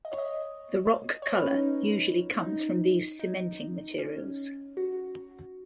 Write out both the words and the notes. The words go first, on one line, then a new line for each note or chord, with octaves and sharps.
The rock color usually comes from these cementing materials.
D#5
C#5
D#5
C#5
B4
C#4
D#4
D#4
D#4
C#4
F#4